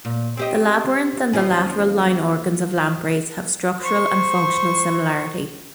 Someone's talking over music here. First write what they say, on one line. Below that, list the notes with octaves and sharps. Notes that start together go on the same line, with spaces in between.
The labyrinth and the lateral line organs of lampreys have structural and functional similarity.
A#2
C4 G4 D#5
D#2 F3 C#4
C5 C#6